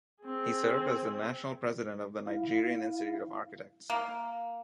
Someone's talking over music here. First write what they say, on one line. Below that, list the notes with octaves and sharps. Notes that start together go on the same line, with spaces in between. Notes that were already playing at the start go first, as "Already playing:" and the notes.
He served as the National President of the Nigerian Institute of Architects.
C4 G#4
E4 F5
A#3